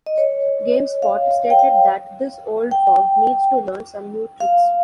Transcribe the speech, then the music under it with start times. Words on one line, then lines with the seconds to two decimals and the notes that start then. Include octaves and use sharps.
GameSpot stated that This old fog needs to learn some new tricks.
0.06 D#5
0.18 C#5
1.02 F5
1.31 F5
1.50 G5
1.59 F5
2.71 G5
4.40 F5